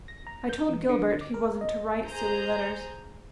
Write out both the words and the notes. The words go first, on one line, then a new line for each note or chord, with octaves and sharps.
I told Gilbert he wasn't to write silly letters.
A#6
A#5
G6
E3
D3
D6
A#4
D#5
G#4 C5 A#5 G6